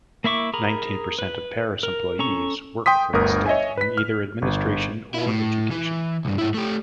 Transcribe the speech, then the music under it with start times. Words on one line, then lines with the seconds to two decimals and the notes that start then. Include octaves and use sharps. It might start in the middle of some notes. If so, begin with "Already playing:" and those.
Nineteen percent of Paris employees work for the state in either administration or education.
0.24 A#3 E4 E5 C#6 D6
0.53 G#4 A#4 A#5 B5
1.19 B4
1.83 A#4
2.19 C#4 A4 A#5 C#6
2.86 G5 C6 D#6 B6
3.13 G1 D2 A#4 D#6
3.46 C#5 D#5 E5 G#5
3.77 B4 B6
3.97 F6
4.42 G1
5.14 E4 F4
5.27 A2
5.71 E3
6.25 C2 G2
6.38 G#2 E4
6.54 A3 G4